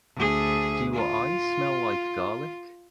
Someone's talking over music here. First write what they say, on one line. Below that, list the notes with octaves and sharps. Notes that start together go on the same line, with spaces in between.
Do I still smell like garlic?
D2 G#4
F4